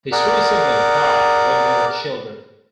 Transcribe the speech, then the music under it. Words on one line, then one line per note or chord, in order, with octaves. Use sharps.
His three siblings died when they were children.
G#4 A#4 D5 F#5